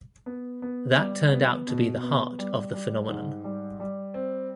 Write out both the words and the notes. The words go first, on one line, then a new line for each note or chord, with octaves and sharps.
That turned out to be the heart of the phenomenon.
B3
B3
G3
B3
B2
B3
G3
G3
G#2
G3
G3
C4